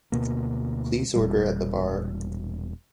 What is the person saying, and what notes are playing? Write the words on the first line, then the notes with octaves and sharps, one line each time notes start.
Please order at the bar.
D2 B2 A#3
E1 A#2 G3